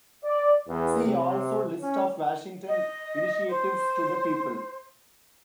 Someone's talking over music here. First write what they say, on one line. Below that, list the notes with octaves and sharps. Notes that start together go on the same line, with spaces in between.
See also List of Washington initiatives to the people.
D5
E2
C3
C#4
D#5
C5